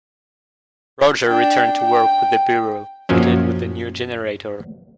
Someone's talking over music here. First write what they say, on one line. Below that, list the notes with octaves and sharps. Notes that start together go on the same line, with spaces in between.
Roger returned to work with the Bureau, fitted with a new generator.
D4 G5
G5
F#2 A#2 F3 F#3 C#4